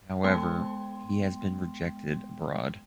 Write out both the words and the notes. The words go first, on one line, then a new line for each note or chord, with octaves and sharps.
However, he has been rejected abroad.
G#3 B3 G5 C6